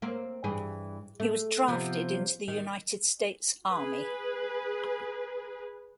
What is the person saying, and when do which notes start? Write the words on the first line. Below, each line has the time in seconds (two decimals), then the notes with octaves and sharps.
He was drafted into the United States Army.
0.02 A#3 C4
0.44 G2 E3 G#4
1.20 A3
1.68 C3 F3 B3
2.48 D#3
3.70 G#4 B4